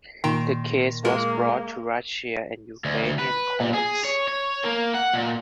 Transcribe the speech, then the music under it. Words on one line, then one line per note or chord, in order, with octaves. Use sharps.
The case was brought to Russian and Ukrainian courts.
A#2 D#3 G5 A#5 C6
G#3 A#3 F4 A#4
D2
D2
B4
A#2
G#4
C#5
C#5
A#3
F#5
A#2